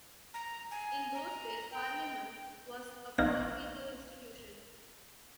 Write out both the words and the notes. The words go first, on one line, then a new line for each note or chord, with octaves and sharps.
In those days, Parliament was a far weaker institution.
A#5
G#5
A#5
G5
A#1 D#3 A#3 B3 A#6